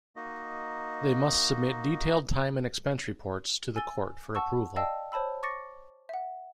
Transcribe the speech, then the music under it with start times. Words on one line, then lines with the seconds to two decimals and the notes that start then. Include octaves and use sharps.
They must submit detailed time and expense reports to the court for approval.
0.16 A#3 D#4 F#4 D#5
3.76 G#5 E6 A6 G7
4.35 F#5 A5 C#6 E6
4.76 D5 D#5 F5 G5 A5 E6
5.12 C5 C#5 A5 B5 E6
5.43 C#6 D6 A6 A#6 C#7
6.09 E5 F#5